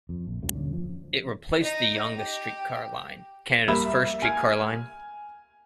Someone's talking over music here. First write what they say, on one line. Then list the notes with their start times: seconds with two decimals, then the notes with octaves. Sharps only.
It replaced the Yonge streetcar line, Canada's first streetcar line.
0.09 F2
0.27 A#1
0.42 C#2 F#2 F#3 A3
0.55 D#1 D3 C#4
0.73 F3
1.62 D#4
2.16 G4
3.68 G3 A#3 E5 B5 E6
4.22 G#5 F6 G#6